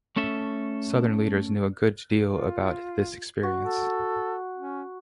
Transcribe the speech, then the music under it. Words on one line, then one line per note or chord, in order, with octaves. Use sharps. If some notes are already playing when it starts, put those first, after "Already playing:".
Southern leaders knew a good deal about this experience.
A3 C#4 A4 E5
F4
F#4
A4
C#4